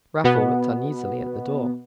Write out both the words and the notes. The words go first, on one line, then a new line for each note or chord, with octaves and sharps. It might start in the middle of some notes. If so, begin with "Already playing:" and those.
Raffle looked uneasily at the door.
B2 B3